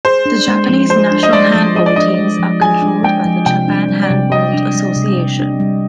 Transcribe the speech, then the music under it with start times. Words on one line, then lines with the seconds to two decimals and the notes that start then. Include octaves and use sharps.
The Japanese national handball teams are controlled by the Japan Handball Association.
0.05 G#4 C5
0.26 D4
0.48 G#3
0.69 F3
0.90 G#4 C5
1.12 D4
1.23 D#5
1.33 G#3 D5
1.55 F3
1.75 G#4 D#5
1.86 D5
1.96 D4 D#5
2.19 G#3
2.40 F3
2.60 G#4 G#5
2.82 D4
3.03 G#3 G5
3.25 F3
3.46 C3 G5
3.68 D4
3.89 G3
4.03 D5
4.11 C3
4.31 C3 D#5
4.54 D4
4.75 G3
4.96 C3
5.18 C3
5.39 D4
5.60 G3